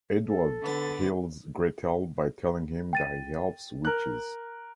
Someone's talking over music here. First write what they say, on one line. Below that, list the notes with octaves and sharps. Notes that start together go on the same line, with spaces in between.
Edward heals Gretel by telling him that he helps witches.
A4
D3 B3 A6
G5 A6 D#7
A#4 F#6